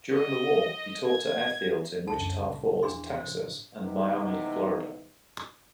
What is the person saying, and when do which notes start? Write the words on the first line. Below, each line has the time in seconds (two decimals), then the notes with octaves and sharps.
During the war he taught at airfields in Wichita Falls, Texas, and Miami, Florida.
0.13 D#5
1.07 G#6
2.08 C#2 F#2 D3 A5
2.42 A#2
2.83 E2 F3 D4 G#4 C6
3.18 A2 C#3 F3 C5
3.78 G#2 C3 E3 A3 B3 D#4